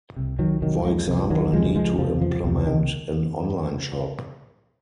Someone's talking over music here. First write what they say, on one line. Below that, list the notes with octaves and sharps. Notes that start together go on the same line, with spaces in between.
For example, a need to implement an online shop.
C2 C3
D#3 F#3
C2 C3 D#3 F#3
F3 G#3
C2 C3 F3
D#3 F#3
C#2 C3 F3 G#3
F3 G#3
C#2 C3 F3
F3
C#2 C3 F3
D#3